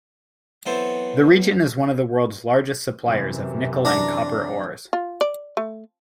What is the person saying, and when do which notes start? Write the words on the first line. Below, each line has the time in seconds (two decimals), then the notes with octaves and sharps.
The region is one of the world's largest suppliers of nickel and copper ores.
0.66 E3 F#3 B3 C4 A4 C5
3.04 F#2 C3 E3
3.85 D4 A#5
4.93 F4
5.21 D5
5.57 A3